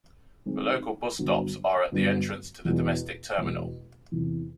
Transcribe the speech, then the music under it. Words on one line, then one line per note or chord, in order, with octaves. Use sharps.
The local bus stops are at the entrance to the domestic terminal.
D#3 G#3 C4 D#4
G2 D3 F#3 B3
G2 D3 F#3 B3
E2 B2 G#3
E2 B2 G#3
E2 C3 E3